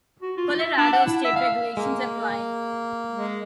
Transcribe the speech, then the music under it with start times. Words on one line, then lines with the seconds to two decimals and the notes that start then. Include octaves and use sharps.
Colorado state regulations apply.
0.22 F#4
0.37 F4
0.60 E5
0.78 D4
0.92 F#5
1.07 E4
1.24 E5
1.36 F5
1.77 G#3 A#3
3.11 G#3